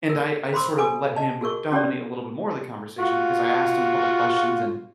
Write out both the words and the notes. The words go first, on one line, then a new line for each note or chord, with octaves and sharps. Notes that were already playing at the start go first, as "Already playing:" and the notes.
and I I sort of let him dominate a little bit more of the conversation, because I asked him a couple questions and
A#4
C5 B5 C6 D6 E6
A4 B4 G#5 D6
D#5 A5
F#4 G#4 A#4 C#6
C#4 G4 C#5 D5
F4 F#4